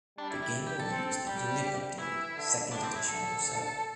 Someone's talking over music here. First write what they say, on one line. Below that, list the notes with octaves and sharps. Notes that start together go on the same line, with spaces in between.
The game will use the newly updated Second Edition ruleset.
G3 D4
E4
E4
G4
A4
C4
G3 G4
E3 E4
D3
A2 D4
C4
E4
D3 A4